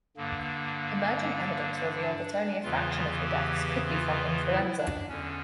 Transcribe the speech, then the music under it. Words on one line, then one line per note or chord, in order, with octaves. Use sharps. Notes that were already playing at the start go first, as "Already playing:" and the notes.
Emerging evidence revealed that only a fraction of the deaths could be from influenza.
G2 D3 A#3
D4
E2 C#3 E3 F4
G4
F4
E4
D4
E2 D3 C#4